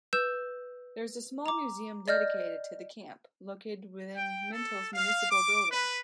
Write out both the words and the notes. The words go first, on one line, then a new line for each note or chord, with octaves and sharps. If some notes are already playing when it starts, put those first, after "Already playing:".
There is a small museum dedicated to the camp located within Minto's municipal building.
B4 E6 G6 E7
A#5 D6
D5 D#5 F6 G6
G5
A4
F5
D6
B4